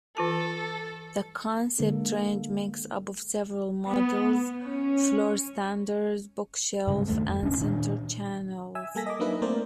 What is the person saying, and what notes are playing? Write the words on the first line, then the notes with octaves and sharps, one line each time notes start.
The Concept range makes up of several models Floorstanders, Bookshelf and Centre Channels.
E3 F4 A4 A5
D3 G#3 A#3 D4 A4
B3
C#4
G2 C#3 G3 G#3
D#2 D#3 A3
F2
D1 C#2 C#4 D4
A#2 D#3 D4
E5 G#5 E6
G3 A#3 A4 G#5 A#6 B6
D#5 D6
F#3 A#3 D4 D#4 B4 E5
A3 A#3 C4 A#4 C5 D5